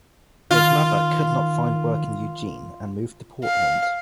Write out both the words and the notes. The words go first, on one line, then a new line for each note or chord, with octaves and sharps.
His mother could not find work in Eugene and moved to Portland.
D#3 F4
F5